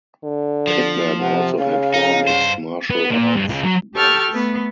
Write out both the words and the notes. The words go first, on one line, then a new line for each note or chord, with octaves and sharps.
Pittman also had four mixed martial arts bouts.
D3
F3
C3 F#5
C#3 F5
D#4
G2 C5
B3
A#2
G2
C#2 C#3
F#3
G4 A4 G5 A5 C#6 F6
A3 B3